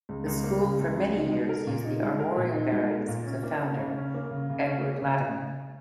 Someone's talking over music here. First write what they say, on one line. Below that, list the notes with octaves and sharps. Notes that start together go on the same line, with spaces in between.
The school for many years used the armorial bearings of the founder, Edward Latymer.
C#2
C#2
A#3
C#3
C#2
C#2
D#4
G#3
A#4
A#2
D#4
G#3
A#4
A#2
D#4
G#3
A#4
A#2
C#4
A#3
C#3
C#3
C#4
A#3
C#3
C#3
C#4
A#3
C#3
C#3